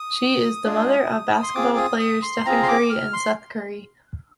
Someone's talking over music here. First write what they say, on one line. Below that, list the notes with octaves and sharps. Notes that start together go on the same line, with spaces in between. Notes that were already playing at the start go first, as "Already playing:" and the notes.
She is the mother of basketball players Stephen Curry and Seth Curry.
Already playing: D#6
G#3 D4 F4 G#4
C6
C4 F4 G#4 D6
D#6
D#6
C6
C4 F4 G#4 A#5
C6
D6
F6
C6